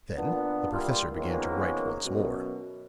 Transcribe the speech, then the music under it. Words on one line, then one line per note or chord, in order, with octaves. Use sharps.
Then the professor began to write once more.
A#2 B3 D4
G3 A#3 E4 F4
D#3 F3 G#3 A#3 B3 C#4
F#2 B2